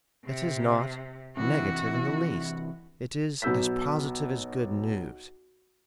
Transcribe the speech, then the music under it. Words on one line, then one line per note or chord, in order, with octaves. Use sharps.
It is not negative in the least; it is as positive as good news.
C3
C3 E3 E4 F#4
B1 B3 F#4 E6 G6 B6